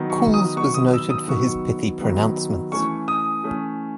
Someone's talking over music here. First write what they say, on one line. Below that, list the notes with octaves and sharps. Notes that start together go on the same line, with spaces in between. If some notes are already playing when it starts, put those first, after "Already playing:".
Cools was noted for his pithy pronouncements.
Already playing: D#3 F#3 B3
C#6
D#6
D#3 F#3 B3 C#6
D#6
E6
D#6
D#3 F#3 B3 C#6
D#3 F#3 B3
E3 A3 C#4 C#6
D#6
E3 A3 C#4